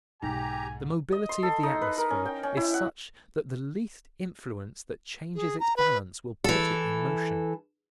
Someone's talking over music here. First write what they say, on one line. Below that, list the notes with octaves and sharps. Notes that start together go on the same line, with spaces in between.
The mobility of the atmosphere is such that the least influence that changes its balance will put it in motion.
B1 G#2 G4 G#5 A#5
D#5
C6
A4
D#4
B4
A#4
C#4
G5
C#4
E4
F#5
G#4
A#5
B4
E3 A4